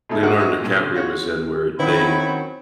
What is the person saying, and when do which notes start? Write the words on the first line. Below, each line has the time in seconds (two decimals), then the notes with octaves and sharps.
Leonardo DiCaprio was in where they
0.09 B2 D3 A3 D#4 E4
0.23 A#3 D4 F#4 E5 F#5
0.37 F#4 A#4 D#5 E5 E6
0.60 G2 A#2
0.78 D3 C#4
0.95 F4 F#4 C#5
1.79 F#2 D#3 F#3 C4 E4 B5